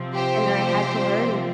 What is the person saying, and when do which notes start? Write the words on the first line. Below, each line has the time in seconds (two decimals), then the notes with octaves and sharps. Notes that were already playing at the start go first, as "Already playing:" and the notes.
and I had to learn
Already playing: C3 F3 C4
0.16 G4 C5